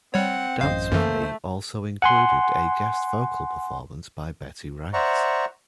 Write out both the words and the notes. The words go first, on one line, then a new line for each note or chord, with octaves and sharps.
"Dance With Me" also included a guest vocal performance by Betty Wright.
G3 C4 C#5 F#5
A1 F#2 C5 D#5 F5
F#2 E3 A3 A#3 A4
F#5 G#5 C6
C5 D5 E5 F#5 A#5 C#6